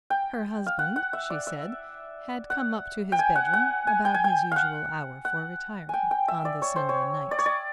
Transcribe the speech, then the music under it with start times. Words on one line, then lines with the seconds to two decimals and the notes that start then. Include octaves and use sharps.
Her husband, she said, had come up to his bedroom about his usual hour for retiring on the Sunday night.
0.10 G5
0.67 F5
0.79 F#5
0.96 F#5
1.13 E5
1.30 D5
1.47 E5
2.50 F#5
3.12 G5
3.19 G#5
3.36 F#5
3.53 F#5
3.87 G#5
4.05 G5
4.14 G#5
4.24 G5
4.52 F5 F#5
5.25 F#5
5.89 G5 G#5
6.11 G5
6.28 E5
6.45 D5
6.62 C#5
6.76 C5
6.89 C#5
7.31 D5
7.39 C#5
7.46 D5